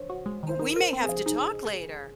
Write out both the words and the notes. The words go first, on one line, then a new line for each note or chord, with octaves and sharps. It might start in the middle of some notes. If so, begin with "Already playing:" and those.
Ooh, we may have to talk later.
Already playing: C5 C#5
F#4
G#3
D#3
C5
D#4 A#4
A#4
C5
C4
G#4
F3
D#4 G#4